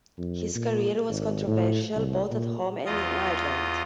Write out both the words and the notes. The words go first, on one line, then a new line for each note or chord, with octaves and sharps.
His career was controversial both at home and in Ireland.
F2
A#2
G#1
A2
C2
A#2
E2 F4 D#5